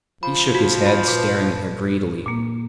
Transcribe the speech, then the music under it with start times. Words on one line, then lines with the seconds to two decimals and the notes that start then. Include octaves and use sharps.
He shook his head, staring at her greedily.
0.23 F3 B5
0.55 F#4
0.87 B5
1.08 A#2 B4
2.26 A#2 A#3